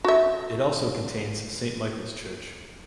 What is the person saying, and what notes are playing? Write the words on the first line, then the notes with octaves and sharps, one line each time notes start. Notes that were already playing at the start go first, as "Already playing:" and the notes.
It also contains Saint Michael's Church.
F#4 E5